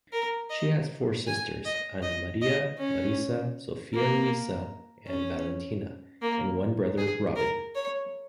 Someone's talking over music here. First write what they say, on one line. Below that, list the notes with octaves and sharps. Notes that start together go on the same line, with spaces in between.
She has four sisters: Anna Maria, Marisa, Sophia-Luisa, and Valentina; and one brother, Robin.
A#4
D#5
G#5
D#5
D#5
D#5
C#4
A#3
C#4
A#3
G#4
A#4
C#5